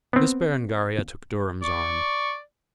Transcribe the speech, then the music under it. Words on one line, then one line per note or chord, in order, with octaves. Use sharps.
Miss Berengaria took Durham's arm.
B3 C4
D5 C#6